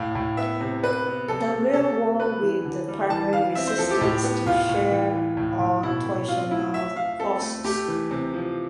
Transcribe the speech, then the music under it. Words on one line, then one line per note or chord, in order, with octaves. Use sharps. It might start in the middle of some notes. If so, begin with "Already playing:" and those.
The rear wall with the primary resistance to shear or torsional forces.
Already playing: A2 F5
A2
B3 E5
C3
C3 B4
B3
C3 A4
C3
C3 A4
C4
B3 B4
E3
D3
G3
E3 A5
E3 F5
C4 E5
C5
F3 A4
G4
A2 G4
B3
A2 F4
A2
E3
E3
A2
A2
B2 E4
B2
C4 F4
F4
A3 E4
F3 E5
F3 F5
C4 A4
A3
A3 G4
E3
C3
F3